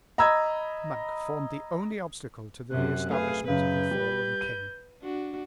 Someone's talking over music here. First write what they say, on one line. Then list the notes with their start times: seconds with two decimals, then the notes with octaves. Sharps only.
Monk formed the only obstacle to the re-establishment of the fallen king.
0.18 D#5 A#5 B5 E6 G#6
2.71 F#2 C3 F#6
3.09 A3 G#4 B4 F5
3.48 F#2 C#3 B4 G6
3.91 G3
4.41 D#7
5.02 D4 F#4